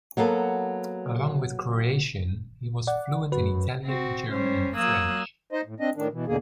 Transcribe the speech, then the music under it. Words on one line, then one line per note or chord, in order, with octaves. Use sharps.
Along with Croatian, he was fluent in Italian, German and French.
F#3 A#3 B3 A4
D5 F#5
F#2 F#4 B4
C4 F#4
G3 C#4 C5
F#3 A#3 D#6 E6 F#6 G#6
D#4 C5 D#5
A2
C4 D4 D#5
A2 D#3 D4
B2 E3
E2 B2 D3 A#3 G#4